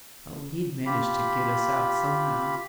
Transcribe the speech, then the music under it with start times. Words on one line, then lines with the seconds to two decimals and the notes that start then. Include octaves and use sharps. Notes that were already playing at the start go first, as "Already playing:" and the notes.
"Oh, he'd manage to get us out somehow."
0.86 F4 G4 B5